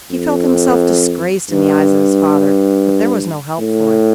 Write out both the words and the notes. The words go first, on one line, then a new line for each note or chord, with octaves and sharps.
He felt himself disgraced in the eyes of his father, but there was no help for it.
F2
G2
A2